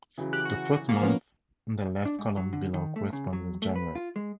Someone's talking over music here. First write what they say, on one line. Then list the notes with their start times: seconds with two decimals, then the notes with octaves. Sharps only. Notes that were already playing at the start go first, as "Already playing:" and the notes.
The first month in the left column below corresponds with January.
0.18 C#3 E3 F#3
0.33 G4 F#6
0.45 F#4
0.89 A#3
1.01 F3 B3 C#4
2.05 D4
2.19 G#2
2.37 F#3
2.53 D3
2.74 D#3
2.96 A3
3.13 C#3
3.33 F#3
3.62 A3
3.76 B4
3.95 F4
4.16 G#3